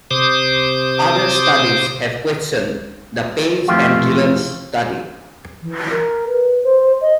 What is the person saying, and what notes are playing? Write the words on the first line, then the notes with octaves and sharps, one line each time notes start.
Other studies have questioned the Page and Gilens study.
C3 C5 D6 D#6
F2 E3 F3 A3 F4 G4
E3
A#4
B4
C5
D#5